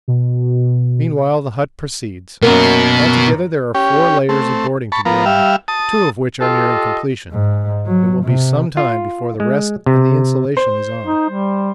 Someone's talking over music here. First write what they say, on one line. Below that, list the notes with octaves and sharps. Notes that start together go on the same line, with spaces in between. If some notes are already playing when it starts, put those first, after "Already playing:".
Meanwhile the hut proceeds; altogether there are four layers of boarding to go on, two of which are nearing completion; it will be some time before the rest and the insulation is on.
B2
F#2 B2 A#3 B3
C#4 G4
A3 C4
A5 B5 C#6
F3 B3 A#4
G3 E5 F5
A5 D#6
F4 G4 A4 D#5
G#2
F#3
C3
F4
G#3
C3
C5
D#4
G3